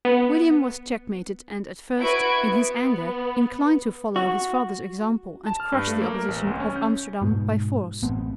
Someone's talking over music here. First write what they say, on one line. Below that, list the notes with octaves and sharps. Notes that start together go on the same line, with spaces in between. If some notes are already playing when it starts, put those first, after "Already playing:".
William was checkmated and at first, in his anger, inclined to follow his father's example and crush the opposition of Amsterdam by force.
B3
E4 F#4 B4 G#6 D7
B3
F#4
A5
F6
G2
A3
A#3
A#4
A1
C2
C#4
G6
G#2 B2
A1 B3 C4